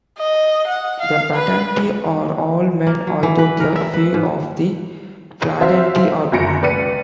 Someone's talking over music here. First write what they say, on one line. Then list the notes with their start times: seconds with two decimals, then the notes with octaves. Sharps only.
The "battenti" are all men, although a few of the "flagellanti" are women.
0.19 D#5
0.68 F#5
1.02 F5
1.35 B4
2.87 A#3
3.07 F#3
3.23 E3
3.39 B4
3.60 A#4
3.76 E5
3.94 B4
4.14 G#2
5.60 C4 F#4 C5 E5 F5
6.32 F#1 F#2 A#6 C#7 D7
6.62 C#2 B4 D5 B6 C#7 D#7